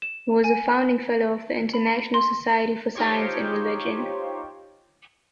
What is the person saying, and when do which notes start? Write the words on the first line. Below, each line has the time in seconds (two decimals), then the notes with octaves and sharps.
He was a founding fellow of the International Society for Science and Religion.
0.02 E7
0.44 G#5
1.73 B5
2.14 C6
2.95 D#4 F4 G4 C5 C#5